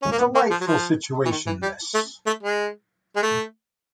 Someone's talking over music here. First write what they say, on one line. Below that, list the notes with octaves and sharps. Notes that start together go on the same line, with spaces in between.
Delightful situation this.
C#4
A#3
B3
A#3
F3
F#3
F3
E3
D#3
E3
G3
A3
A3
G#3
G#3
A3